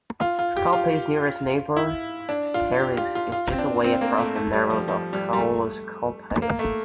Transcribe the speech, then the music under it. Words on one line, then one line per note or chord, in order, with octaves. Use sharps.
Scalpay's nearest neighbour, Harris, is just away across the narrows of Caolas Scalpaigh.
F4
F4
G4
F4
E4
D4
F4
G4
F4
F4
F4
C4
D4
C4
A#3
A3
A3
G3
F3
F3
G3
G3
A3
A#3
A3